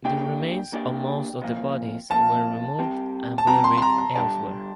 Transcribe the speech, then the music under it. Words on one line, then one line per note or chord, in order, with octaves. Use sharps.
The remains of most of the bodies were removed and buried elsewhere.
A#3 D4 G4 D5 G5
A#3 D4 G4 D5
C3 F3 A#3
C3 F3 A#3 A5
G3 C4 G4
A5
G3 C4 G4 A#5
C6
C6
A#5
A#5
D3 G3 D4 G4 D5 A5